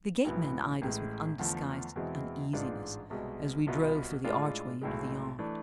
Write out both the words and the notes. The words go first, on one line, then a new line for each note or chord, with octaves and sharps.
The gateman eyed us with undisguised uneasiness as we drove through the archway into the yard.
B1 A2 E3 B3
A1 A2 G#3
E2 D3 F3 A3
E2 B2 G#3 C4 E4
A1 G#2 G#3 D4 F4
C2 B2 G#3
C2 B2 B3 F4
A2 G#3 D4 F4
B1 A2 G#3
E3 A3 D4